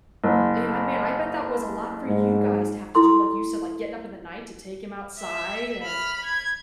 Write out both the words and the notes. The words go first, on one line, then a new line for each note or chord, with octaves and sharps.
and I man, I bet that was a lot for you guys to have to do, like you said, like, getting up in the night to take him outside and
F#1
G#2
E4 A4 C6
E5
B5 F6
G#6